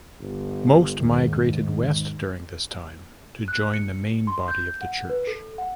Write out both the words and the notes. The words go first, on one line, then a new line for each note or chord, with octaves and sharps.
Most migrated west during this time to join the main body of the church.
G1
E2 G#2 D#3
F#6
C#7
C6
G6
F#5
B4
A4
F#5